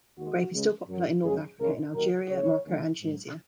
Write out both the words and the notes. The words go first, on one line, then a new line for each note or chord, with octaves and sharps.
The grape is still popular in North Africa in Algeria, Morocco and Tunisia.
D#2 D#3 G#3 F#4
C#2 C#3 G#3
F#2 F#3
F#2 C#3 G#3 G#4
C#2 C#3 G#3 A#4
D#2 D#3 F#3 A#4
C#2 C#3 G#3 C#5
D#2 C#3 G#3
G#2 F#3